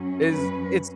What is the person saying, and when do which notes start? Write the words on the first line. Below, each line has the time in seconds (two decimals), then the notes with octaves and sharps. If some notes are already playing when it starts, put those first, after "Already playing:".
Is it's
Already playing: F#2 F#3 C#4
0.28 B4